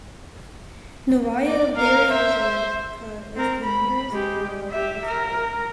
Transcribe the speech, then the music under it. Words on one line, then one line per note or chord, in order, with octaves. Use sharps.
Novaya Beryozovka is the nearest rural locality.
D5
A#4 F5
C5 E5
C4 A#4
B5
G#3 G4
G4 E5
A#4